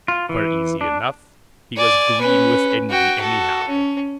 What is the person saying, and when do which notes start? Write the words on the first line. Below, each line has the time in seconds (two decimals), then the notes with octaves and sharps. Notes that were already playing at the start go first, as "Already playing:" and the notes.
Twere easy enough; he was green with envy, anyhow.
0.08 F4
0.29 E3
0.81 D4
1.77 D5 G#5
2.21 C#4 B4
2.89 F#4 G5
3.19 F#4 A4
3.68 C#4